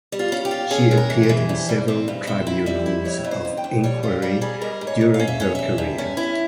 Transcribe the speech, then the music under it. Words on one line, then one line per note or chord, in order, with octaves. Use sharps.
She appeared in several tribunals of inquiry during her career.
G3
F4
C#4
G4
F4
C#4 G#4
G#3
A#4
E3
C5
E3
G2
G3
C4
G2
C4 E5
E4
G3 E5
E4
F2 C#5
F2
C5
F2
G5
F2
G3 C#5
F4 C5
G3 A#4
G3 G#4
G#2 A#4
G#2
C#5
G#2
F5
C#4
E5
C#4 C#5
G2 E5
G2
C#4
E4